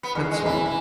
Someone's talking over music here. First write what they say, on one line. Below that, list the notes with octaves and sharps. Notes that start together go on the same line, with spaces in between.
That's all.'
B3
E2
G#3
E3
E3